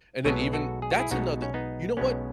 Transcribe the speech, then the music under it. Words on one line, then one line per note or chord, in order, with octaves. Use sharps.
And, then, even that's another you know what?
B1 B2 G#3 B3 A4 C#5
F#4 A4
G#4
F#4
E4 G#4
B1 B2 G#3 B3 D#4 F#4
C#4
B3 D#4
B1 B2 G#3 B3 C#4